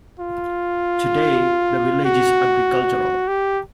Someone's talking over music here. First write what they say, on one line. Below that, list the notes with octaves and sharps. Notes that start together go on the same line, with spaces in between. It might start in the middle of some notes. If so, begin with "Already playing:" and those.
Today, the village is agricultural.
F4
F#4
G4